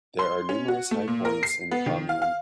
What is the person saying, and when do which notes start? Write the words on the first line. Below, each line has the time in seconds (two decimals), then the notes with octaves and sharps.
There are numerous high points in the commune.
0.19 C6
0.49 C#4
0.68 F#4
0.91 A3
1.08 A#2
1.25 A#4
1.43 C7
1.71 B3
1.86 D#3
2.09 F5
2.22 F5